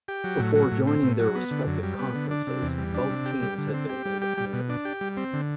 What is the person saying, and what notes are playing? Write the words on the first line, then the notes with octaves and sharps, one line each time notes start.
Before joining their respective conferences, both teams had been independent.
G4
F#3
A2
F#3
A2
C4
A2
F#3
B3
D3
F#2
G3
B3
D3
D4
C3
E2
G3
D4
C3
G4
G3
D3
C4
G4
G3
G4
G3
B2
D4
G4
G3
C4
D3